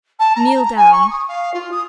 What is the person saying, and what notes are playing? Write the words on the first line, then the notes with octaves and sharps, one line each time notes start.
"Kneel down."
A5
A#5
A#5
A#5
G#5
C#6
D#6
F5
F4
D#6